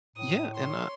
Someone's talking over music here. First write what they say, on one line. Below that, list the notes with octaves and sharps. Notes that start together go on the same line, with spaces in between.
Yeah, and, uh
A2 D#6
C#5 C6